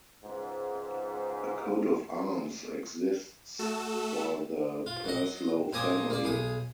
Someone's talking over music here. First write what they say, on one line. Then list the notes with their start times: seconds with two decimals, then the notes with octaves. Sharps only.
A coat of arms exists for the Purslow family.
0.24 C#2 G#2
3.59 A3 F#4 A4 E6
4.86 F4
5.04 F#3 D#5
5.73 A#2 C4 G#5 A#5 D6 D#6
6.10 A#3 D5
6.24 B1 G#4 D#6